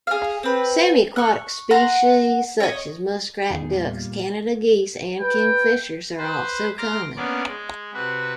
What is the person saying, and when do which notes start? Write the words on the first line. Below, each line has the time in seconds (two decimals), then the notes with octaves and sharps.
Semi-aquatic species such as muskrat, ducks, Canada geese and kingfishers are also common.
0.07 G#4 F5
0.43 C4 B4
1.16 C#6 F#6
1.71 F#5 A#5 C6
2.60 C#5 D#5
3.50 E2 D#3 D#4 G#4
3.71 A#2 G3 F4
5.20 B4 G5
6.18 B4 C5
6.78 A#5 C6 D6 F6 A#6
7.17 A#3 B3 C#4 D4 D5
7.47 G#3
7.94 C3 F#4 B4